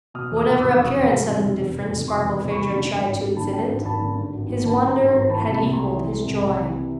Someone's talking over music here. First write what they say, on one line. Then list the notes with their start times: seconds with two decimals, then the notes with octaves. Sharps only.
Whatever appearance of indifference Barkilphedro tried to exhibit, his wonder had equalled his joy.
0.14 B2 D#6 F6
0.31 E2
0.37 D#6 F6
0.46 F1
0.57 D6 E6
0.63 F1
0.78 B2 C#6 D#6
0.95 E2
1.11 F1
1.27 F1
1.44 B2
1.59 E2
1.75 F1
1.92 F1
2.07 B2 C6 D6
2.23 E2
2.41 F1
2.50 B5 C#6
2.56 F1
2.72 D3
2.89 G2
3.04 G#1
3.21 G#1
3.36 D3 A5 B5
3.53 G2 G5 A5
3.69 G#1
3.85 G#1 A5 B5
4.02 D3
4.17 G2
4.34 G#1
4.49 G#1
4.65 D3 A5 B5
4.82 G2 A#5 C6
4.99 G#1
5.08 A#5 C6
5.14 G#1
5.30 E3 A5 B5
5.46 C3
5.51 A5 B5
5.62 C2
5.73 A#5 C6
5.79 C2
5.94 E3
6.10 C3
6.27 C2
6.42 C2
6.59 E3
6.75 C3